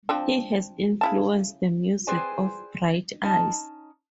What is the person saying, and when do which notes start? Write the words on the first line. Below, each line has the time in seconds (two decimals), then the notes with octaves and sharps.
He has influenced the music of Bright Eyes.
0.09 F3 C4 D4
1.01 C#3 E4 A5
2.07 C4 G#4 B4 C5 D5 G#5
3.22 C#4 D#4 A5